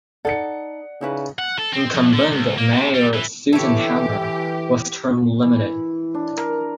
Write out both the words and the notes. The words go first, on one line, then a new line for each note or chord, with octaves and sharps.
Incumbent mayor Susan Hammer was term limited.
D#4 A4 D5 F#5 C#7
C#3 D#4 E4 B4
F#5
A4
C4
F2
D3
C#2
A#3
C3
G3
E3
D3 E3 E4 G4 A4 C#5
E3
D4
A#4